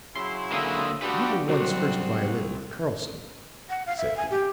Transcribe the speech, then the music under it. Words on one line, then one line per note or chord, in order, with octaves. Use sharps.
"You were once first violin with Karlson," said he.
C#3 F#3 E4 C6
D3 A#3 C6 D#6 E6
D4 F#4 G4 B4
C2 F#3 C4 F#5
F#5
F5
E5
G#5
G4